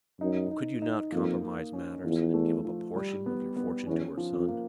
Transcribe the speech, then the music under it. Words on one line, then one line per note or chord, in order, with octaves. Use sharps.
"But could you not compromise matters, and give up a portion of your fortune to her son?"
F#2 D#4
D#4
D#4
F2 A#3
A#3
C#4
E2 F3
A3
F3
G3
B3
B3
E2 C#4
F3
F2
A#3